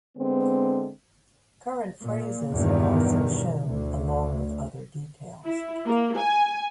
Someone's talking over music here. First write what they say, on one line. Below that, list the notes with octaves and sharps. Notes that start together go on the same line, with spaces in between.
Current phases are also shown along with other details.
D3 G#3 B3 C4
A#2
E2 G2 B2 D#3
D2
E4
A#3
G#5